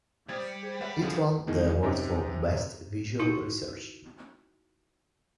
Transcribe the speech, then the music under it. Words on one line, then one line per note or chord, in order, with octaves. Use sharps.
It won the award for Best Visual Research.
G3 C5 D#6 F6 G#6
C#7
G#4 C5 G#6
G3 B4 C#5 E5 F#5 B5
G2 D3 F3 G#4
B2 D#3 E3 G#3
F#2 C3 D#4 G4
D#4 E4 F#4 A#4 C6